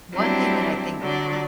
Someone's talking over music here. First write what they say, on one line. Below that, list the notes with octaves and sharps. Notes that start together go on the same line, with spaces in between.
one thing that I think,
F#3 G3 C4 D4 E4
D3 F#3 D5